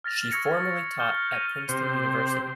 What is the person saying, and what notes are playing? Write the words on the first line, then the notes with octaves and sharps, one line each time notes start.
She formerly taught at Princeton University.
F6 A6 A#6 F7
C#6 E6 G#6 A#6 C#7
F6 G6 G7
A#6 D#7 F7
C3 C5